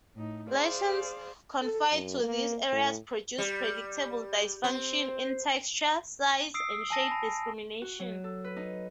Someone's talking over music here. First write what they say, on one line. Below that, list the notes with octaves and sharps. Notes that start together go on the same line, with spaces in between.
Lesions confined to these areas produce predictable dysfunction in texture, size, and shape discrimination.
A2 D#4
G#4 C5 D5 F5
A4
F#2
A#3
A2
G3
C4
D#6 E6 C7 D7
G#5 A5 A#6
B5
F#4
F#3
A4
B4
D#4